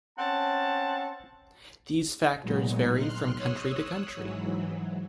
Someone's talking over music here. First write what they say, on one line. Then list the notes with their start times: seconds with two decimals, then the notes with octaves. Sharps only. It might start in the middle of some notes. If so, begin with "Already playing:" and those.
These factors vary from country to country.
0.18 C4 C#4 F#5 A5
2.42 A#2 F#3 G#3 B3 D#4
2.91 C6 F6 F#6
3.36 C#5 D#6 E6 F#6
4.15 G#2 E3 F#3